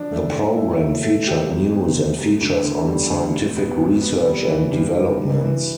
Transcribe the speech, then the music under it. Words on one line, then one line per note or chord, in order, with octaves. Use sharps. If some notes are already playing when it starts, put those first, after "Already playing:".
The program featured news and features on scientific research and developments.
Already playing: F3 D4
A3
A3
E4
A3
A3
G4
C2
B2
A3
C2
D2
D3
G3
D2
F1
B3
F1
B3
G3
E3
G2
G2
G2
E3